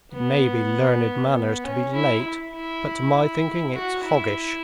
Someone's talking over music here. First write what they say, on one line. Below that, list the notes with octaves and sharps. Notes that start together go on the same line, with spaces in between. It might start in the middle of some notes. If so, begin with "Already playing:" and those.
"It may be learned manners to be late, but to my thinking it's hoggish."
B3
B3
C#4
E4
E4
F#4
E4